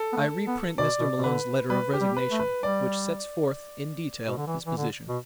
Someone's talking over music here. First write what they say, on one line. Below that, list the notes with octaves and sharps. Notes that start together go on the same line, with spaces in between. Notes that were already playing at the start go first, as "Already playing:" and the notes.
I reprint Mr. Malone's letter of resignation which sets forth in detail his position.
Already playing: A4
B3
A3
B3
B2 D5
B2
B2
D3 B4
G3 B4
G4
G3
B4
A3
B4
G3 D5
B2
D3
E3
E3
D3
B2